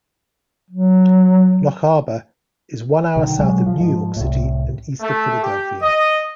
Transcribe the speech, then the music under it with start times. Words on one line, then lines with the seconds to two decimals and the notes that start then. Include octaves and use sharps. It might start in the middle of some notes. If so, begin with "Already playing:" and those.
Loch Arbour is one hour south of New York City and east of Philadelphia.
0.70 F#3
3.16 B1 D3 D#3
3.39 B1 F#3 G#3
3.66 F3
3.80 G#2 F3
4.17 C2 A2
5.01 A3
5.43 G4
5.82 D#5